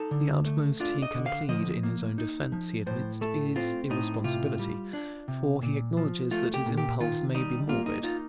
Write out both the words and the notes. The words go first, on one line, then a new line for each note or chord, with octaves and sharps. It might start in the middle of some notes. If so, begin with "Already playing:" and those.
The utmost he can plead in his own defense, he admits, is irresponsibility, for he acknowledges that his impulse may be morbid.
Already playing: D#4 A4
D3
A3
D4 F4
D#5
D3
F5
F3 D#5
A#3
D#4
F3
A2 C5
A3 A4
C4 F4
A2 D#4
C3 F4
G3
D4
C3
A#2
F3
A3 F4
G4
A#2
G4
D#3 F4
G3 D#4
A#3 F4
D#4
D#4 F4